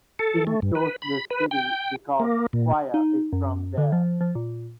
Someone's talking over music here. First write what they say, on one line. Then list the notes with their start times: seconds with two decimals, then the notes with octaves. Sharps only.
King chose this city because squire is from there.
0.19 A4
0.47 A3
0.62 G2
0.75 B4
1.02 B5
1.31 B4
1.51 G5
2.20 A#3
2.53 A#2
2.94 D#4
3.33 F#2
3.78 D3
3.92 F3
4.21 F3
4.35 A#2